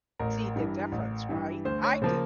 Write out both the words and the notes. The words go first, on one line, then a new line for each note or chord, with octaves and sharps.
see the difference, right? I didn't.
A1 A#4
G2 E3
A1
G2 E3
D2 C5
C#5
C#3 F3 A#3 C5